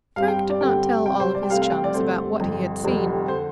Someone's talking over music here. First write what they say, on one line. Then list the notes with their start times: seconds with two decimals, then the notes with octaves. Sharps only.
Frank did not tell all of his chums about what he had seen.
0.16 G2 G3 C4 F5
0.28 G5
0.50 D5
0.60 G2 D3 G3 C4 G5
1.06 C2 C3 G3 G5
1.20 C5
1.35 D5
1.43 G5
1.50 C2 C3 A3 C4 F5
1.62 F5
1.72 G5
1.84 D5
1.94 G2 D3 A3 C4 C5
2.39 G1 F2 D3
2.84 F1 F2 D3 G3 C4
3.28 D3 C5